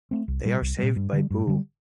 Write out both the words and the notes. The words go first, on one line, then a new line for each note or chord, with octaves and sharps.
They are saved by Boo.
A3 C4
C2
A#2 G3
C2
A#2 G3
G2
D3 G3
G2
D3 G3